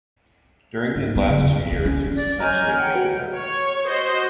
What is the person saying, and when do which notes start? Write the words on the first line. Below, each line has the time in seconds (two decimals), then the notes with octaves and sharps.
During his last two years he was essentially a figurehead.
0.96 G#2
1.16 B3
1.28 C#3
1.42 E2
1.58 F2
1.72 C4
1.85 C#4
2.14 D5
2.40 C#5 D#5 G#5 A#5 F6 G6
2.77 F#5 G5
2.94 F#4 B4
3.36 C#5
3.86 F#4 C5 D#5